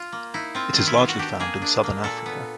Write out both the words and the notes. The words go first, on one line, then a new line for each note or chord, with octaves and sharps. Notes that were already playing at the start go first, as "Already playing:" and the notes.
It is largely found in southern Africa.
Already playing: F4
A#3
D#4 E4
C4 F4
D#3 F4
E4
B3 F4
F#4
D4 G4
A#3 G#4
D4
A#3
A#2 A4
B3